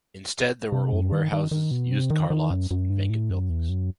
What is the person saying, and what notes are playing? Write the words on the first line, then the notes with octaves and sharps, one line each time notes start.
Instead there were old warehouses, used car lots, and vacant buildings.
C3
F#2
D#3
D#3
D#3
B2
C3
D#3
D#3
F#2
F#2
G2
A2
F#2
E2
F#2